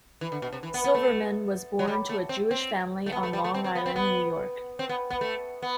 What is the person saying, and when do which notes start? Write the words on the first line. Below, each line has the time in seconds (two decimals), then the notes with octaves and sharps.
Silverman was born to a Jewish family on Long Island, New York.
0.21 E3
0.32 D3
0.42 B2
0.52 C3
0.63 E3
0.74 B3
0.84 B3
0.94 A3
1.79 F#3
1.87 G3
2.09 A3
2.29 C4
2.51 C4
3.06 A3
3.12 B3
3.23 A3
3.33 G3
3.44 A3
3.54 C4
3.64 C4
3.75 B3
3.86 C4
3.96 B3
4.79 C4
4.89 B3
5.10 B3
5.21 A3
5.62 B3